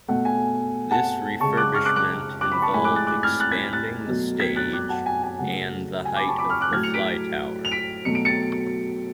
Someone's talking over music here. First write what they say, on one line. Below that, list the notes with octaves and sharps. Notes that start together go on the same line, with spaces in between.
This refurbishment involved expanding the stage and the height of the fly tower.
B2 A3 F#5
G#5
F#5 A5
C#3 G#3 A5 C#6
D6 F#6
C#6 F6
D6 F#6
D6 F#6
D6 F#6
B5 D6
A5 C#6
A2 G#3 G#5 B5
D6 F#6
F#6 A6
D6 F#6
F6 G#6
F#6 A6
G#6 B6
F#6 A6
B2 F#3 A3
G#6 B6
F#6 A6
D6 F#6
F#5 A5
G#5
G#5
C#3 F#3 A3 F#5
G#5
B5 D6
A5 C#6
B5 D6
C#6 F6
D6 F#6
A2 F#3 A3 F6 G#6
C#7 F7
B6 D7
F7
B6 D7
B2 F#3 A3 C#7
D7
A6 C#7